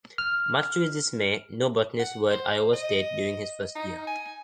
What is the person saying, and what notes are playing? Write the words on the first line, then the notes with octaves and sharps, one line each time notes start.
Much to his dismay, no botanists were at Iowa State during his first year.
F6
F#5
C5
D#5
D#4
G#5